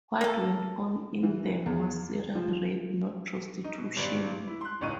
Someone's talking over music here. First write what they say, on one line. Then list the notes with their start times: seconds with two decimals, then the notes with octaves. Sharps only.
What went on in them was serial rape, not prostitution.
0.21 A#3 A4
1.23 E3
1.66 E2
2.35 F3
3.64 D#4
3.78 B2
3.96 G#1 G2 B4 D5 D7
4.47 E4
4.61 C6 F#6
4.81 E1 C#2 A2 D#4 C#6 D#7